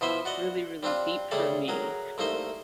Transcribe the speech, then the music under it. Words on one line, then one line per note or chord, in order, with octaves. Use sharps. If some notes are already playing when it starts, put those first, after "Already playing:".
really, really deep for me.
B2 F3 E4 C5 E5
F#4 D5 D#5
G3 C4 D4 F4
C#3 G3 A3 G#4 D5
F#3 G#4 A#4
C2 A3 A#3 D#4 C5